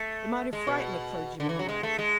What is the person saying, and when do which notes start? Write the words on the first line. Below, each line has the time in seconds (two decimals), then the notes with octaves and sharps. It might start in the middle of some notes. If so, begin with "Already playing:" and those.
It might have frightened the clergymen away.
Already playing: A3
0.53 G#3
0.67 B2
1.40 D3
1.49 E3
1.59 F#3
1.69 G#3
1.83 A3
1.99 G#3